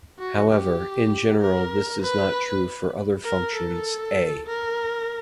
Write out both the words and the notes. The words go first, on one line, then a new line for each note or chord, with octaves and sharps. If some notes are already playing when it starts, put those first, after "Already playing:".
However, in general this is not true for other functions "A".
F#4
G4
A#4
B4
A#4
A4
A#4